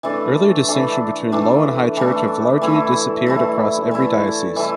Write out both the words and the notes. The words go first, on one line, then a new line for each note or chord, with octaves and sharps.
Earlier distinctions between Low and High Church have largely disappeared across every diocese.
E3 A3 D4
E3 A3 D4
E3 A3 D4
E3 A3 D4
E3 A3 E4
E3 A3 E4
E3 A3 E4
E3 A3 E4